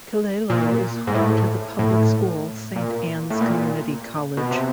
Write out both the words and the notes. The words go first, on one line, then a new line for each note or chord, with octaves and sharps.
Killaloe is home to the public school Saint Anne's Community College.
A#2
G#2
A2
A2
A#2
A2
A#2
B2
C3